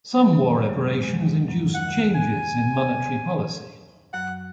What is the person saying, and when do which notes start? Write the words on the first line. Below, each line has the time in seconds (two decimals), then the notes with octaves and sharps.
Some war reparations induced changes in monetary policy.
0.16 F#3
0.24 D#3
0.33 F#2 F#3
0.57 G#3
0.69 F#2 F#3
1.03 G#3
1.13 F#3
1.21 D#2 D#3
1.48 F#2 F#3
1.74 D#2 D#3 F#5
2.15 G#5
4.13 F#2 F#3 F#5